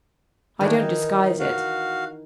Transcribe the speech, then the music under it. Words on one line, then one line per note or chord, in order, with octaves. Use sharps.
I don't disguise it.
D#3 E3 A3 D4
D#4
F#4 F5